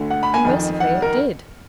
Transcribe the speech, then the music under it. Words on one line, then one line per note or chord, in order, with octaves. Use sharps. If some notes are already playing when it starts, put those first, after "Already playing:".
And mercifully it did.
Already playing: D2 D3
F#5
B5
G#5
F2 D#3
F#5
A#4